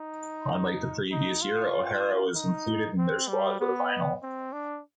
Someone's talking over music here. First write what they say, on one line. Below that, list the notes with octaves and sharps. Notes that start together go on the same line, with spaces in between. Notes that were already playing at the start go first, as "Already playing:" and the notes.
Unlike the previous year, O'Hara was included in their squad for the final.
Already playing: D#4
D#4
F4
D#4
C4
G3
B3
C4
D4